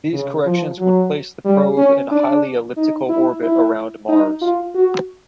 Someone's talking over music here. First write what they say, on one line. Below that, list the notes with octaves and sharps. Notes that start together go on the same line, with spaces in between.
These corrections would place the probe in a highly elliptical orbit around Mars.
C#3
F3
F#3
G3
C#4
D4
D#4
E4
E4
D#4
F4
F#4